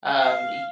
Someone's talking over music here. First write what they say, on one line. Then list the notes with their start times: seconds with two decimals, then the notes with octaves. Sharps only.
um, y
0.14 F5